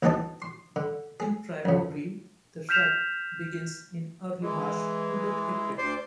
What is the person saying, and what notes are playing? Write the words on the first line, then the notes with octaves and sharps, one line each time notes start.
In Primorye, the rut begins in early March to late April.
D2 E3 C4 D#4 A5 D#6
C6
D3
G#4
F2 C#3
F6 G6 B6 E7 F7
E3 G#3
D2 C5 D5 C6